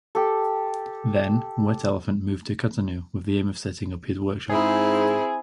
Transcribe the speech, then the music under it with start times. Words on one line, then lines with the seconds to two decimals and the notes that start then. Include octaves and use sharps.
Then Wet Elephant moved to Cotonou with the aim of setting up his workshop.
0.15 G4 A4
4.49 G#2 C4 E4 G#4